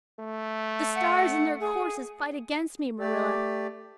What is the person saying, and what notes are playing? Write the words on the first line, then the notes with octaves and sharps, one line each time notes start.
The stars in their courses fight against me, Marilla.
A3
F#5
G#4
A3 G4 D5